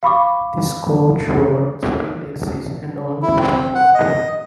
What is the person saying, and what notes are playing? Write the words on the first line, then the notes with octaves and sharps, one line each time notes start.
This coach-road still exists and although private.
F5 B5 C#6 D6
E4
C4
F#5
D#5